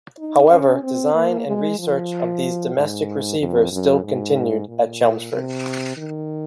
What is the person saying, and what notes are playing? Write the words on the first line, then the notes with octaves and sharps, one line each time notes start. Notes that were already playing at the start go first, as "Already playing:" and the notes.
However, design and research of these domestic receivers still continued at Chelmsford.
D#4
C#4
C4
A#3
G#3
F3
G#2
F2
F#2
G#2
A#2
C3
D#3